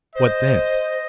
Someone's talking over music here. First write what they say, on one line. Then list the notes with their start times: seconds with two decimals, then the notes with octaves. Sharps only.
What then?
0.15 C5 D#5